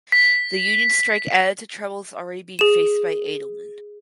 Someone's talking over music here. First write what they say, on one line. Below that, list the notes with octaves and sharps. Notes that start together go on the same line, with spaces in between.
The union strike added to troubles already being faced by Adelman.
B6
G#4 E7